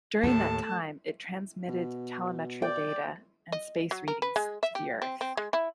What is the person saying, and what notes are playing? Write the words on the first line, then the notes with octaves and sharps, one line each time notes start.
During that time, it transmitted telemetry data and space readings to the Earth.
D#2 A2 A3 A5
B2
D5 G5
D#5
F#3
A#4
B4
G#3
E5
G4
C4
C4
G#3
E4